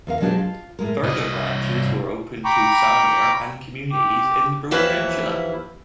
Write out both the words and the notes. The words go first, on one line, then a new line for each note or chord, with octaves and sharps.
Further branches were opened to Sarnia and communities in the Bruce Peninsula.
E2 A#4 F5
B2 F#3 G#3 D4 D#4 G4
F4
A2 G#3 A#4
C2 D#5
G5 A#5 B5 C#6 D6
G4
D#2 E3 F3 E4 B4 C#5